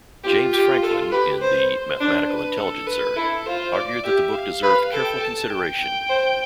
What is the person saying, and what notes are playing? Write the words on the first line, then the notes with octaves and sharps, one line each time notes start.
James Franklin in the "Mathematical Intelligencer" argued that the book deserved careful consideration.
F4 G4
G4
A4
G4 B4
B4 C5
C5
D4
B4
A4
B4
E4 A4
F4 C5
D5
G4 E5
F5
B4 F5
A4 G5
A5
G5
G5
C5